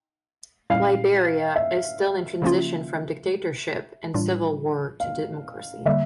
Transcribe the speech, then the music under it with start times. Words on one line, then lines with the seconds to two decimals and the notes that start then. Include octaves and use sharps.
Liberia is still in transition from dictatorship and civil war to democracy.
0.70 A#2 G3 C#4 E4 F5
1.56 E5
2.42 C#3 F3 A#3 C#4 F4
4.14 A2 E3 G3 D4 F4
5.00 F5
5.86 D3 G3 A#3 E5